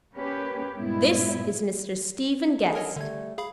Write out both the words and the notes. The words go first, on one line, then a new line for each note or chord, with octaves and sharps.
"This is Mr. Stephen Guest."
A#3 C#4 G4 B4
G2 A#2 G3 G#3 B3 E4
G#4 A4
A#4 C#5 D#5
D3 G3 A3 G#6
G#4 F5 B5